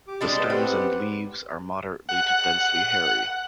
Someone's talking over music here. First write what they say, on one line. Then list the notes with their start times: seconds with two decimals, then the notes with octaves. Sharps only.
The stems and leaves are moderately to densely hairy.
0.07 G4 D6
0.21 G3 G#3 D4
0.37 B3 A4 C5
0.50 C4 G4 B4 F#5
2.09 F#5